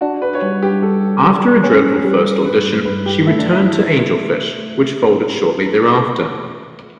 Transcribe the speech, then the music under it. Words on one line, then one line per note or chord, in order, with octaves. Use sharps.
After a dreadful first audition, she returned to Angelfish, which folded shortly thereafter.
D4 F#4
B4
C#5
G3 B4
G4
G3 A4
G3
C#4
G3
G2 B4
G2 B4
G4
A3 E4
D4
E4